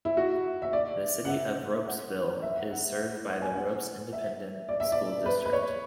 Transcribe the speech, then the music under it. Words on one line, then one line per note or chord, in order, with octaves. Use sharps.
The City of Ropesville is served by the Ropes Independent School District.
E4
F#4
E5
D5
F#5
E5
F#5
E5
F#5
F#5
F#5
G#5
F#5
E5
D5
E5
D5
B4
B4
C#5